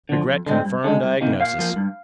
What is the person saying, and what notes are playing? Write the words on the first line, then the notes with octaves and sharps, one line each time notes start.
Regret confirm diagnosis.
D3 F3
F2
D3 G#3 C4
G2
D3 G#3
C2
C3 D#3 A#3
A#2 F5
F3 A#3
G2